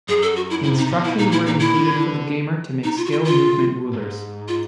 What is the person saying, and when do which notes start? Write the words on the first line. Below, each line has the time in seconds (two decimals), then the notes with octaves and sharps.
Instructions were included for the gamer to make scale movement rulers.
0.08 F#2 G#4
0.22 A4
0.36 F#4
0.50 E4
0.63 C3 E4
0.78 D#4
0.91 B2
1.04 E4
1.18 A#2 D#4
1.32 E4
1.46 D#4
1.60 E4
1.74 D3
2.84 D#4
2.97 F4
3.06 F#4
3.11 F4
3.25 F4
3.93 G#2
4.48 F4